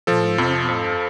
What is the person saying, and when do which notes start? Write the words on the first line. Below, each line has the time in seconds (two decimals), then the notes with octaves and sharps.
Oh no.
0.07 F3 A4
0.38 F2
0.69 F2